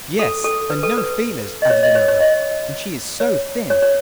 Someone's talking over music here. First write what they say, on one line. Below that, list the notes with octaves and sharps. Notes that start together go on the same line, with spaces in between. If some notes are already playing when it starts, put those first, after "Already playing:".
'Yes, and no feelers,' added another; 'and she is so thin!
A4
A4
B4
A4
B4
D#5
C#5
D#5
C#5
C#5
D#5
C#5
C#5
C#5